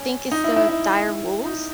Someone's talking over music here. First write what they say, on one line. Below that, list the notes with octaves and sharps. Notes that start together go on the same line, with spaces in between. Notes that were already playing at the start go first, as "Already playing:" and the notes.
think it's the dire wolves?
Already playing: C#4
D#4
E4
E4
E4
D#4